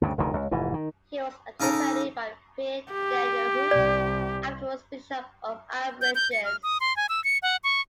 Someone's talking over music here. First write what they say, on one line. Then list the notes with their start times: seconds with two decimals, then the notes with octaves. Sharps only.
He was accompanied by Pierre Daniel Huet, afterwards Bishop of Avranches.
0.01 D2 G2 C#3
0.18 F1 D2 A#2 D#3
0.34 C#2
0.51 F1 G#2 E3
0.74 D#3
1.60 C#3 D#4 A4 D6
2.92 G4
3.71 C2 D5
6.01 G6
6.15 G6
6.32 C#7
6.45 F6
6.63 D#6
6.80 C6
6.97 G#5
7.09 E6
7.24 C#7
7.43 F#5
7.64 C#6